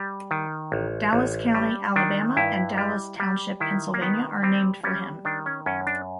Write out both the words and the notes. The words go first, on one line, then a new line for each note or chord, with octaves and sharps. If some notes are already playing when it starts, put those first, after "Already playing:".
Dallas County, Alabama and Dallas Township, Pennsylvania are named for him.
Already playing: G3
D#3
A1
A1
G3
D#3 D4
G2 E4
G3
G3
D#3 E4
A#3
D#3 B3
G3 C4
G3 C#4
D#3 D4
C#4
F#2 C#4
D4